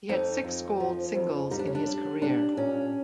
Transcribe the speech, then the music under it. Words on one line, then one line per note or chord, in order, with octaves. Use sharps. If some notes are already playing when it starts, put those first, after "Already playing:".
He had six gold singles in his career.
F2 D#4
F2
F3
F2
G3 D#4
D4
C#4
D4
G3
G3 D4
A#2 C#4